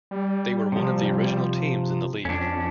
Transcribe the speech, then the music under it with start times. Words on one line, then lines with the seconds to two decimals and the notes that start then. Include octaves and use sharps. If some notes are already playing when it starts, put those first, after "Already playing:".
They were one of the original teams in the league.
0.11 G3
0.72 C3 F3
2.25 F2 C#4 D4